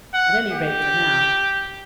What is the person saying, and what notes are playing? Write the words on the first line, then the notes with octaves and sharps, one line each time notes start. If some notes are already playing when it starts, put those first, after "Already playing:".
"At any rate, for now."
F#5
G4